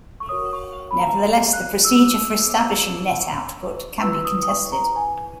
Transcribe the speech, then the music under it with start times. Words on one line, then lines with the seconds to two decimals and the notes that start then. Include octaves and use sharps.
Nevertheless, the procedure for establishing net output can be contested.
0.20 C#6
0.29 F#4 A#4 C#5 D#6
0.53 C#6
0.91 B5
0.99 A#5
1.53 F#6
1.85 E6
4.02 E4 B4 E6
4.25 D#6
4.43 D#6
4.48 C#6
4.72 A#5
4.96 G#5